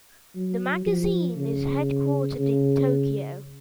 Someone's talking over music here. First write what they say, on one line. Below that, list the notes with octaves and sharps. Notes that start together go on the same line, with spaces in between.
The magazine is headquartered in Tokyo.
F#3
F3
C#3
C#3